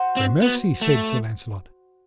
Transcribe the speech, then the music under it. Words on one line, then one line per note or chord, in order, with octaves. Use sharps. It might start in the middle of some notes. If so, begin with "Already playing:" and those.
Gramercy, said Sir Launcelot.
Already playing: F#4 C5
C4
B3
A3